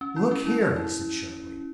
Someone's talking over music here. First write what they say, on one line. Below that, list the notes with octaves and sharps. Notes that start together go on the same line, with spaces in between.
"Look here!" he said sharply.
C#4
E4
C#4
E4
E4
E4